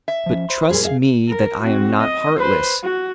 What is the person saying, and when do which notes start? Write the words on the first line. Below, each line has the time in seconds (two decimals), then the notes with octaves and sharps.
But trust me that I am not heartless.
0.08 E5
0.26 F3 C#4
0.49 C5 B5 C6
0.70 A#2 G3 G#4
0.83 G#4 D#5 F5
1.28 A#4
1.63 C4 F#4
2.00 D#5
2.38 B4 C5
2.83 F#4